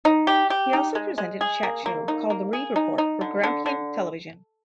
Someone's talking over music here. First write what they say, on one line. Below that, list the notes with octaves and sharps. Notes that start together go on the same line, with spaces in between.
He also presented a chat-show called the "Reid Report" for Grampian Television.
D#4
G4
G4
D#4
G#3
G#3
G#4
A#3
A#3
D#4
A#3
G#4
D#4
D#4
D3
D3
D3